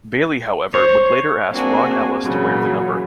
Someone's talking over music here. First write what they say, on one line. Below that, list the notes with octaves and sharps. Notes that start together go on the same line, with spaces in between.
Bailey, however, would later ask Ron Ellis to wear the number.
C5 C#5
A#3 C4 D4 F#4 G#4
A#2 C#3 E3 F#3